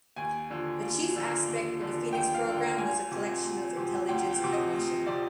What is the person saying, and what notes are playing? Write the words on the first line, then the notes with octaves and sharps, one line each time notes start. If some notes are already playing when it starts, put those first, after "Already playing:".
The chief aspect of the Phoenix Program was the collection of intelligence information.
D#2 G#5
D3 F3
D#2
D3 F3
D#2
D3 F3
D#2 G5
F5
D3 F3
G5
D2 G#5
C3 F3
D2
C3 F3
D2 G5
G5
C3 F3
D#5
D2
C3 F3 D5